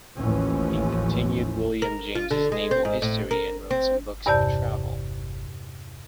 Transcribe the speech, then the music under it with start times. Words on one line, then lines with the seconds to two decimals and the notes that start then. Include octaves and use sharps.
He continued William James's "Naval History" and wrote some books of travel.
0.18 A1 D#2 E3 F3 C#4
1.82 A#4
2.15 F4
2.31 D3
2.52 G#3
2.71 C4
2.85 G#2
3.02 A2
3.31 A#4
3.71 C4
4.26 E2 G2 C3 D5 A5 G6